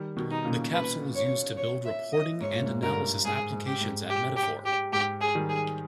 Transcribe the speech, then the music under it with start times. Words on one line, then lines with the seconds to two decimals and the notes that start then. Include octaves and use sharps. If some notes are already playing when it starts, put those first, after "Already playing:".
The Capsule was used to build reporting and analysis applications at Metaphor.
Already playing: D#3 G3
0.17 B2 D#3
0.31 D#4
0.45 A#2 C#3
0.73 B4
1.15 C#5
1.57 C#5
1.85 E5
2.13 D#5
2.41 G#2 C#5
2.53 A#2
2.66 G#2
2.83 G2 A#4
3.25 G#2 G#4
3.53 G#2
3.67 G4
3.81 G#2
4.10 G4
4.36 G4
4.66 G4
4.93 G#2 G4
5.21 G#4
5.35 D#3 G3
5.49 G#4